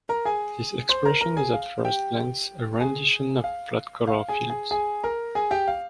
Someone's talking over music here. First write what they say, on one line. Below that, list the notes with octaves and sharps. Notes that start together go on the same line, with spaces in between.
This expression is at first glance a rendition of flat color fields.
A#4 A#5
G#4 G#5
C5 C6
A#4 A#5
A#4 A#5
G#4 G#5
F5
G4 G5
G#4 G#5
F5
F5
G#4 G#5
G#4 G#5
G#4 G#5
A#4 A#5
G#4 G#5
G4 G5
F5